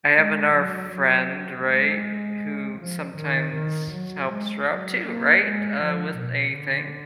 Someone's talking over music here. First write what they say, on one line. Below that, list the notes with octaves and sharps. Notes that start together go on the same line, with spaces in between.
I have another friend, right? Who sometimes helps her out, too, right? Uh, with a thing.
G#3
F#3
F#3
G#3
F3
D#3
D#3
F#3
G#3
F#3
A#3
G#3
F3
B2
D3